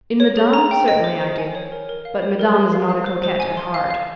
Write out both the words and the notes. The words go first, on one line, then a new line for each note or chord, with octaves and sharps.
"In Madame, certainly I do; but Madame is not a coquette at heart."
C#5
G#4
A#5
G5
D#5
C5
C5
G#5
C#5
A#4
A#4
F5
C#5
A#4
A#4
F5
F5
C5
C5
G#5
C6
F5
F5